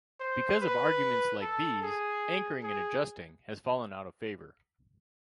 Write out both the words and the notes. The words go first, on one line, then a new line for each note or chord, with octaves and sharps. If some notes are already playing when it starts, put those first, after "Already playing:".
Because of arguments like these, anchoring-and-adjusting has fallen out of favor.
C5
B4
A4
G#4
G#4